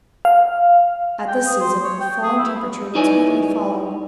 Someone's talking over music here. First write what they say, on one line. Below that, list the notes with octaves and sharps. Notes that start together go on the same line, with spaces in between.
At this season, a falling temperature would speedily follow.
F5
G5
G#4
C5
C#5
G5
G#4
E4
D#4 E4 B4 C#5 D5 G#5